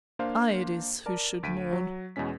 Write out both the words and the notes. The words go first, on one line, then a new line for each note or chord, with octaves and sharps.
I it is who should mourn.
A#3 D4 C5 F5
A#4 D5 A5
D2 B6 D7 D#7
F#3
E2 B2 G#3 C#4 B6